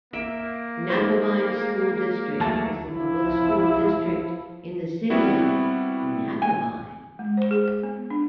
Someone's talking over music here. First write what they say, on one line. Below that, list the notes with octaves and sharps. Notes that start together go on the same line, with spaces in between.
Napavine School district is the public school district in the city of Napavine.
A#3 E5 D7
G#3 D#4 A4 C5
G#3
D#2 F#3 A3 A5
F3 E4
G3 B3 C4 E4 F#4
G#5
G#3
C5
G#4
B3
D4